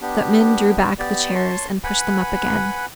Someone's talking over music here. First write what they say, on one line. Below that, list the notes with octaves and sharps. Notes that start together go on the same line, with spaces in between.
The footmen drew back the chairs and pushed them up again.
B3 D4 G4
B3 G4 D5
C#5 A5 C6 C#6
B4 F#5 G#5 B5